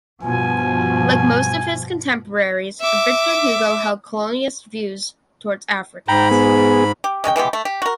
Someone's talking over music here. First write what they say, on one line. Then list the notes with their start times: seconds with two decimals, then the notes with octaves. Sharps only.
Like most of his contemporaries, Victor Hugo held colonialist views towards Africans.
0.23 G2 B2 F3 G#5
2.81 E5 D6
6.08 G#2 G5 A#5 B5
6.31 B3 G#4
7.04 G4
7.24 G#3 C#4 A4 G5
7.36 E3 G#3 B3 G4
7.53 A3
7.65 G4
7.82 F#4 A#4